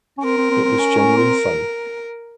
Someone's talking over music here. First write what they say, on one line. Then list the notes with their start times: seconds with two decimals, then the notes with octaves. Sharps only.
It was genuine fun.
0.18 C#4
0.24 C4 A#4
0.37 C4
0.51 C4
0.65 C4
0.79 C#4
0.98 C#4
1.17 C4